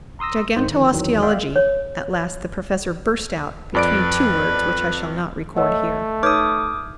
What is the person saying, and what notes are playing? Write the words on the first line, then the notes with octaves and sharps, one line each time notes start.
"Gigantosteologie," at last the Professor burst out, between two words which I shall not record here.
A#5 C6 D#6 E6 A#6
G#1 G#2 D#3 C5
D3 D#3 F3
E2 D#3 E3 F#3
D5 E5 F5 G5
C#5
F2 B4 D5 D7
A3 C#5 D#5 F#5 E6
D#4 B4 C#5 D6 D#6 F6 G6 G#6